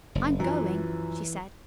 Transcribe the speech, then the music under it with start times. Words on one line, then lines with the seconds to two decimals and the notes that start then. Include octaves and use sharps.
"I'm going," she said.
0.15 F#1
0.40 F#2 E3 F3